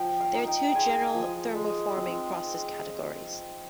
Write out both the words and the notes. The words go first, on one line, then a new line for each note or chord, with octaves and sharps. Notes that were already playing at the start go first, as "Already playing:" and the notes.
There are two general thermoforming process categories.
Already playing: F3 G5
F5
D#4
G5
G5
G#3 G#5
F3
G#3
C4